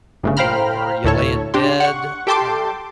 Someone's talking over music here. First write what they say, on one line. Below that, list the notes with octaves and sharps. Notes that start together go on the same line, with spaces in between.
or you lay in bed, uh,
G1 A2 C#3
C5 F5 G5 A#5 B5 F6
D2 A2 A4 C#5
D4 G4 C6
F#5 C#6
G4 A4 G5 A5 C6 D6